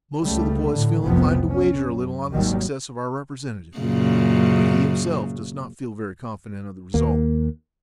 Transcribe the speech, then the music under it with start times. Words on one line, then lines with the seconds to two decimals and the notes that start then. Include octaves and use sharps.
Most of the boys feel inclined to wager a little on the success of our representative, but he himself does not feel very confident of the result.
0.20 C#2 C#3 G3 A3
0.71 A2 D3
1.02 F1 C2 F2 C3 F3 B3
1.49 C#4
1.81 F#2
2.32 G#1 D#2 D#3 F#3 G3
3.78 F#2 A#2 C#3
6.94 D#2 A#3